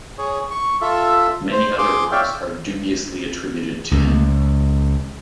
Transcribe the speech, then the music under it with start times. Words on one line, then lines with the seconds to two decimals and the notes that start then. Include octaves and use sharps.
Many other works are dubiously attributed to him.
0.18 G#4 C#5
0.51 C#6
0.81 F4 A4 E5
1.52 C5
1.78 G#4 C6 D6
2.12 C#5 D5 E5 F5 G5
3.91 C#2